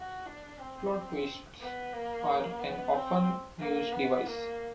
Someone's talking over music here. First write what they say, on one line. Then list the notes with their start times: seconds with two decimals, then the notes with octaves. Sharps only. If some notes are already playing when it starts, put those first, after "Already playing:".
Plot twists are an often used device.
Already playing: F#4
0.25 D4
0.59 C4
1.60 B3
1.92 A#3
2.59 B3
2.92 C4
3.59 A#3
3.92 B3
4.26 A#3